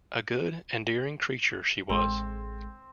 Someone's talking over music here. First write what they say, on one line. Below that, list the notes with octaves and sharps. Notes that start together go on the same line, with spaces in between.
A good endearing creature she was.
A1 G#3 C4